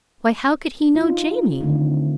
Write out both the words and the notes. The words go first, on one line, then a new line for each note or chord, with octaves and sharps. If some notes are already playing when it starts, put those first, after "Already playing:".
"Why, how could he know Jamie?"
D#4 F4
D3 D#3 A3 C4